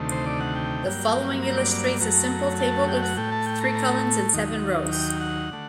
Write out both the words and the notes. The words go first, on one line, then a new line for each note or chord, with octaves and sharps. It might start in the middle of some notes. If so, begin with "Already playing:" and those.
The following illustrates a simple table with three columns and seven rows.
Already playing: D2 C3 D#3 A3
C5
D5
F#5
G5
G2 F#3 A#3
A#5
D5
D5
F#2 F#3 A3 A#5
A5
G5
F#5
A2 A3 G5
A5
G5
A#5
A#5
D#2 D#3 F#3
G5
F#5
D3 A3